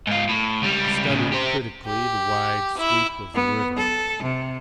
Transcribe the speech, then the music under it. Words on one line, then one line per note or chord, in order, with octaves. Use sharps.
He studied critically the wide sweep of the river.
G#2 F4
A2
C#2 G3
A2 C#3
G4 C5
G4
E4
B3
A4
C3